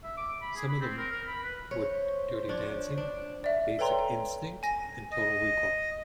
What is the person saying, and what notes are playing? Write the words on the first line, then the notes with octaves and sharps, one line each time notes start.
Some of them were "Dirty Dancing", "Basic Instinct", and "Total Recall".
E5
D6
B5
G#4
B5
C4
A#4
A#4
B5
B4
C5 C#5
F3 D4 C#5
D4
D5 E5
A4 B4 C#5 G5 A#5 C6
G#5 A#6
D#5